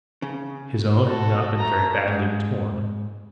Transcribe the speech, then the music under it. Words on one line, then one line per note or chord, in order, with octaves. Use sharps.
His own had not been very badly torn.
C#3
F#4 A4
A3 A#5
G#2